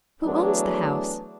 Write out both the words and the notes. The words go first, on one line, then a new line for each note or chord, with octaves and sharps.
"Who owns the house?"
E3 F#3 A3 B3 D4 G#4